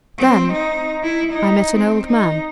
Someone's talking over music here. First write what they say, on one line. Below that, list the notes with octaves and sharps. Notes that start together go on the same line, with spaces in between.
Then I met an old man.
C4
D#4
E4
D#4
C4
D#4